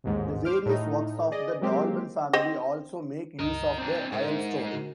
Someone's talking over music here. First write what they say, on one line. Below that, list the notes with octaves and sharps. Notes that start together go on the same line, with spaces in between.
The various works of the Dolben family also make use of the ironstone.
A1 D#2 G#2
C5 D6 F6
A2 D#4
G#4 D5 D#5
F#3 G#3 A#3 C4 G4
C4 C5 D#5
C#2 G2 A#4 D#5
C4 D4 A#5
G#2 A#4 C5 E5
D3 F#4 A#4